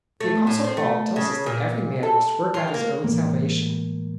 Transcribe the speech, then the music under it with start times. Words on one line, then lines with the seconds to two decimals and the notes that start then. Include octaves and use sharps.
The Apostle Paul tells us that every man must work out his own salvation.
0.20 A3
0.47 A2
0.64 C4
0.77 A3
1.16 C#3
1.46 A#2
2.03 A4
2.54 F4
2.74 A#3
3.04 A2 E3 G#3 A#3